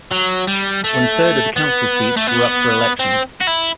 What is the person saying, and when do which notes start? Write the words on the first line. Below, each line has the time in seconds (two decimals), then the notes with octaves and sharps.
One third of the council seats were up for election.
0.12 F#3
0.47 G3
0.84 A3
1.56 B3
2.17 A3
2.27 B3
3.00 C4
3.41 F#4
3.47 E4